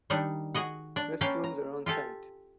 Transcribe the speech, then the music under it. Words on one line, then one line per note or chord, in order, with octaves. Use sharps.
Restrooms are on site.
D#3 G3 D4 D#4
F#4 G#4 D#5 F#5
D4
A#3 C#4 B4 F5 G5 A5
A#5
F4 G4 A4 G#5